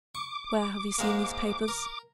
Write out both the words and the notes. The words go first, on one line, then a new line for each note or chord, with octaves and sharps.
"Where have you seen these papers?"
C#6 D6
G#2 G#3 A#3
A#4